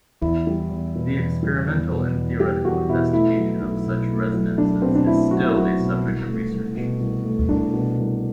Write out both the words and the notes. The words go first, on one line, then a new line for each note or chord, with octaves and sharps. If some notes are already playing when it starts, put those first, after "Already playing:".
The experimental and theoretical investigation of such resonances is still a subject of research.
E2 E4
G3
E2
B2
E2
G3
E2
B2
E2
G3 G4
E2 F#4
B2 E4
A3 E4
F#3
B1
B2
A3
F#3
B1 D4
B2 C4
D4
A3 E4
F#3 F#4
E4
B1 F#4
B2
C2
A3
C2
B2
C2
A3
C2 D4
B2
C2